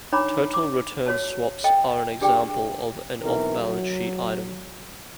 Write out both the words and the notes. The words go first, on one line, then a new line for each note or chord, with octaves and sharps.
Total return swaps are an example of an off-balance sheet item.
D4 D#4 C#5 A#5 B5 D6
D6
F#4 C#5 A5
A4 D#5 G5
D4 G4 G#4 D5 G5
B1 E3 C4 A#4
F#3